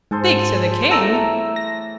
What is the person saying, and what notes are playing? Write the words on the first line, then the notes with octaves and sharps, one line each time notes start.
'Speak to the King!...
G#2 G#4 A4 C5
A2 E3 A4 A#5 E6
A#6